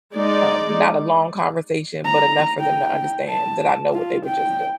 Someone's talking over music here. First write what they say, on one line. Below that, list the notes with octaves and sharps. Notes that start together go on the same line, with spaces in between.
Um, not a long conversation, but enough for them to understand that I know what they were just doing,
G#3 D#4 D5
A#5
G5
A5
F4
G5